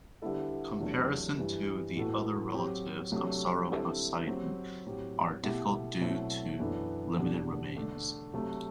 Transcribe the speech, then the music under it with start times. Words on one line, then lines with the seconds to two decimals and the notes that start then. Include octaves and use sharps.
Comparisons to the other relatives of "Sauroposeidon" are difficult due to limited remains.
0.22 D3 G3 B3 E4 A4
0.80 E2 C3 F#3 A3 D4
1.37 G2 E3 G3
1.96 A2 E3 B3 F#4 A4
2.54 F#3 C4 G4
3.11 C3 F#3 A3 D4
3.70 D3 G3 C4 E4 A4
4.27 F#3 C4 G4
4.86 A2 F#3 C4 G4
5.43 B2 A3 E4 G4
6.01 B2 F#3 A3 C4 E4
6.59 F#2 E3 B3 D4 A4
7.17 E2 B2 G3 D4
7.75 D3 A3 D4
8.33 C3 F#3 A3